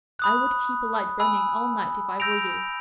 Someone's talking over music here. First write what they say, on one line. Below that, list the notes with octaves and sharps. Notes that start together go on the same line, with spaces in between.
I would keep a light burning all night if I were you.
B5 D#6 F#6
G#5 B5 E6
E6 G6 A#6 D7 F7